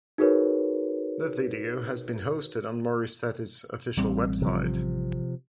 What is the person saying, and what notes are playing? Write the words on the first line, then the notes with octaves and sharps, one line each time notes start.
The video has been hosted on Morissette's official website.
D#4 F#4 G#4 A#4 B4 C#5
A1 G3 C4
C3 F3